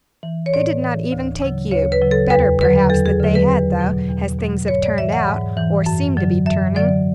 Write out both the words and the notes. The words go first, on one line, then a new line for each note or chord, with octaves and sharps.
They did not even take you; better, perhaps that they had though, as things have turned out, or seem to be turning.
E3
C#5
A2 D5
E3
D2
C#3 F#3
D2 C#5
B4
C#3 F#3
A4
E2 B4
D3 F#3 B4
E2 A4
G#4
D3 F#3
B4
E2
B2 F#3
E2
B2 F#3
G#2 C#5
D5
E3 E5
F#5
G#2
E3
F#2
D3 F#3
F#2 E5
D3 F#3 D5